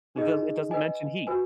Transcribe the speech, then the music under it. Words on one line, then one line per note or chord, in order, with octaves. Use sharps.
It does it doesn't mention heat.
D#4 G#4 D#5
B4 D#5 G#5
F#4 B4 G#5